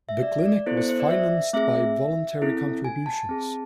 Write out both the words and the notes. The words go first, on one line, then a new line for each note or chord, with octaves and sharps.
The clinic was financed by voluntary contributions.
E5
D5
D5
B3 E4 A4 C5
C5
C5
D5
E5
A3 C4 G#4 E5
C4 E4 A4
G#5
A5
C4 G#4